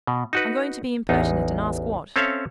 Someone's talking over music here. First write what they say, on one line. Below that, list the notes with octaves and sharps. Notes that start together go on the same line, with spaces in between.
I'm going to be impertinent and ask what.
B2
D#4 F#4 B4
A1 E2 D#4
C4 C#4 A4 C#5 E5 F5